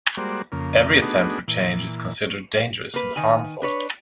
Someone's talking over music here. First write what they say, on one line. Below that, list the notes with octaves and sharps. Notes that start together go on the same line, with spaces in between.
Every attempt for change is considered dangerous and harmful.
G3 G#3 A#3 F#4 C5 D5
F2 C#3 A#3
A3 B3 D4 D#4 F#4 G#4
A#2 E3
A#3 B4
D#3 G#5
D4 B4 C#5